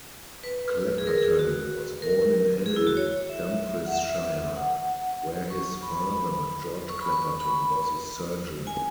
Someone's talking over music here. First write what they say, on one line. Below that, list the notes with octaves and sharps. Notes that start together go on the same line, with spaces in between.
Clapperton was born in Annan, Dumfriesshire, where his father, George Clapperton, was a surgeon.
B4
G#4
A#4
G#4
F#4
A#4
G#4
E4
F#4
C#5
E5
F#5
E5
F#5
C#6
B5
C#6
B5
C#6
B5
G#5